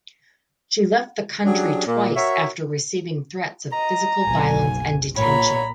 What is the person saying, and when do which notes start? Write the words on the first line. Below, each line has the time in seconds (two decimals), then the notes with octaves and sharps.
She left the country twice after receiving threats of physical violence and detention.
1.45 F#3 C#4 D4 G4 G#4
1.86 A#2
2.15 F#4 A#4 C#5 E5
3.72 D#5 A#5
4.26 F#1 B1 G#5
5.17 A#2 C#5 A#5 B5